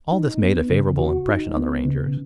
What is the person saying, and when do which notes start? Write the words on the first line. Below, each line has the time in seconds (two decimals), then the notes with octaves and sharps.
All this made a favorable impression on the Rangers.
0.12 D#4
0.41 B3
0.69 C#3
0.99 F#4
1.28 D#4
1.57 B3
1.85 C#3